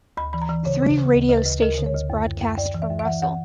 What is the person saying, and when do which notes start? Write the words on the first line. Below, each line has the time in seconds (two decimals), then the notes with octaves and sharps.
Three radio stations broadcast from Russell.
0.17 D2 B5
0.33 E3 B5
0.42 A#5
0.49 E3
0.65 C#3 C#5
0.82 C#3
0.98 C#3
1.14 D2
1.30 D2
1.37 B4
1.46 D2
1.62 D2 A#4
1.78 D3
1.86 C#5
1.94 D2
2.10 F#2
2.26 F#2
2.41 F#2
2.58 F#2 D5
2.74 E3
2.82 E5
2.90 F#2
2.99 E5
3.05 E3 F#5
3.22 E3 F#5